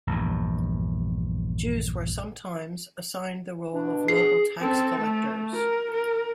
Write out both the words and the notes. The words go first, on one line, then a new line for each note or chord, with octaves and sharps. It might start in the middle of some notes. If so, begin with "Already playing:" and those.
Jews were sometimes assigned the role of local tax collectors.
A#1 E2 G2
B2 D4
G#4 C7
C4 A4
A3
A#4
A#4